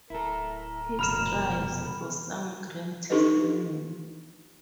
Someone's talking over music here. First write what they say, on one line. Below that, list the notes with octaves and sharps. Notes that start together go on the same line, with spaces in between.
He strives for some grand testimony.
D1 E4 A4 A#4
C2 F2 B2 B5 F6 E7
D4 D#4 G4 A4 B4 D#5